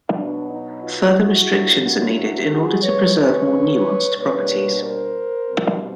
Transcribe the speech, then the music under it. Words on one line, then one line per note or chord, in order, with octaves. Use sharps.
Further restrictions are needed in order to preserve more nuanced properties.
B2 F#3 B3 D4
D#4
D#4 F4
E4 F#4
A2 F#3 A#3 D4
E4 F#4
F#4 G#4
C#3 F3 G#3 B4 C#5
B4 C#5
B2 G3 A#3 D4 B4 C#5
A#4 C5
B2 G3 C4